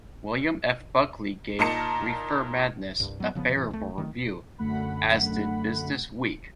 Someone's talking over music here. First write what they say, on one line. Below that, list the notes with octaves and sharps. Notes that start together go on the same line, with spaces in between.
William F. Buckley gave "Reefer Madness" a favorable review, as did "BusinessWeek".
A#2 D#4 A#4 A5 C#7
C2 G2
F#3 B3
C#3 F3 A#3 B3
F1 A2 E3
C2 A3
D#3 A3
F#2 D3 A3 F#5 B5